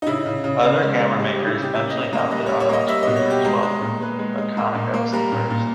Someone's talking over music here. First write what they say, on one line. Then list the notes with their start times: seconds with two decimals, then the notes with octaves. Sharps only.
Other camera makers eventually adopted auto-exposure as well, but Konica was the first.
0.02 D#4
0.07 C#3 E4
0.26 C#3
0.44 C#3
0.63 C#3
0.82 G#3
1.00 G#3
1.19 G3 G#4
1.33 G4
1.38 C#3
1.47 E4
1.56 C#3
1.62 G4
1.75 A#3 E5
1.90 C#3 D#5
2.04 D#5
2.13 A#3
2.18 D#5
2.31 G3 D#5
2.46 G3 C#5
2.60 C#5
2.69 A#3 D#5
2.88 G3 E5
3.02 B2 D#5
3.16 C#5
3.25 G3 G4
3.44 G#3 A#4
3.63 G#3
3.81 A#2
4.00 G#3 B4
4.19 G#3
4.38 G#3
4.57 A#3
4.75 A#2
4.94 A#3
5.12 G3 A#4
5.32 A#2
5.50 A#2